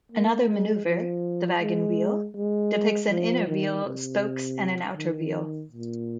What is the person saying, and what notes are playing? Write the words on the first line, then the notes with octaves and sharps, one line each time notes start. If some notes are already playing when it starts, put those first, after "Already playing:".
Another manoeuvre, the Wagon Wheel, depicts an inner wheel, spokes, and an outer wheel.
A#3
G#3
F3
G#3
G#3
F3
D#3
C3
D#3
A#2